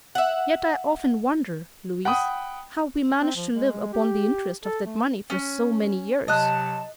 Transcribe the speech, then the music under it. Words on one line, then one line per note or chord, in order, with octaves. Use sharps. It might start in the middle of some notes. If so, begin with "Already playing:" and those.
"Yet I often wonder, Louise, how we managed to live upon the interest of that money for so many years."
E5 F#5
F#5 G5 B5 D#6
C4
F3
G#3
G4
A4
A3
C#4
C3 F#3 D#5 A5 F#6